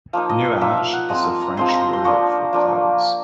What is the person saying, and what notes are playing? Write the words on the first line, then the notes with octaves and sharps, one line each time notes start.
"Nuages" is the French word for "clouds".
F3 A#3 D#4 F5
D#5
D#5
F3 A#3 D#4 E5
F5
F#5
F3 G#3 C4 A#5
A#5
F3 G#3 C4 C6
A#5
C6
C6
F3 A#3 D4 C#6
F3 A#3 D4